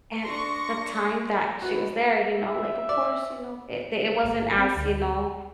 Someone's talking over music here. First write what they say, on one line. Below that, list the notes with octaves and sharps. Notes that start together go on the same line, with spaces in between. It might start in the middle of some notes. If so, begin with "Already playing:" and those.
and, the time that she was there, you know, like, of course, you know, it the it wasn't as, you know,
D4 C6 C#6 A#6
F#4 B4
E5
D5
G#1
C4
D2